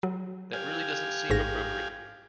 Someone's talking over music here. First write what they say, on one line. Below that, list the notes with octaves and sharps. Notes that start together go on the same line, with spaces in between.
That really doesn't seem appropriate.
F#3
G4 F5 G#5
A1 G#2 A#6